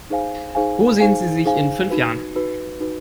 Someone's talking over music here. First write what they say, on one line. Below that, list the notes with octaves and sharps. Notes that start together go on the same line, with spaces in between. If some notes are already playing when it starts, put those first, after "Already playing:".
Wo sehen Sie sich in fünf Jahren?
D#4 G#4 C5 F5 G#5
D#4 G#4 C5 F5 G#5
D#4 G#4 C5 F5 G#5
D#4 G#4 C5 F5 G#5
D#4 F#4 B4
D#4 F#4 B4
D#4 F#4 B4